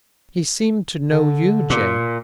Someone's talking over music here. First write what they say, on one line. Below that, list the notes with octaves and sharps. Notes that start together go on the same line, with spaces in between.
He seemed to know you, Jane.
D3
A#2